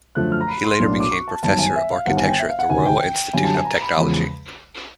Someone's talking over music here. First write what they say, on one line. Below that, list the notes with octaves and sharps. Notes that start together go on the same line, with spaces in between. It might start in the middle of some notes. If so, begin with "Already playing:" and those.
He later became professor of architecture at the Royal Institute of Technology.
F#2 D3 F3 A3 F#6
F6
A#5
B5
C6
B1 A2 F#3 A#3 D4
D6
C#6
A5
G1 F#2 D#3 A5
G#5
E5
F5
G1 G2 D#3 F#5
G#5
G5
E5
F5
F#5
D2 C3 D#3 G#5
G5
F#2 D3 G3 G#5
A5
G#5
A#5
B5
E2 C#3 F3 G#3